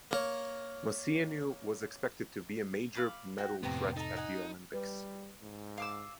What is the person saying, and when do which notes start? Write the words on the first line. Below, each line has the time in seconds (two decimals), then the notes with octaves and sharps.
Moceanu was expected to be a major medal threat at the Olympics.
0.11 A#3 A#4 C#5
2.95 F5 B5 D6
3.38 F#4 G5
3.63 F2 A2 C3 B3 G4 C5 G5 A#5
3.97 D#4 A4 A#5
4.17 D#5 F#5 G#5
4.73 G3 B4
5.42 G#2
5.78 F5 D6 E6